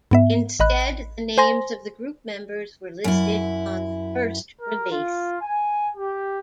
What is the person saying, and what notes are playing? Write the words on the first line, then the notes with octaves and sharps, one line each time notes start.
Instead, the names of the group members were listed on the first release.
G#2 B3 E5
A1 D#5 B5 F#6
C5 G#5 C6 A#6
F#2 E4
A#4
F4
G#5
G4